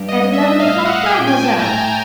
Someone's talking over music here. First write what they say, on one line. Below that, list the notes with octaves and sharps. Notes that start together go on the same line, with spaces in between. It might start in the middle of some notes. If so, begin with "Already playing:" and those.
"At eleven o'clock, mademoiselle?"
Already playing: G2
D#5
E5
A2 F5
F#5
G#5
A#2 G5
G#5
A5
A2 A#5
A5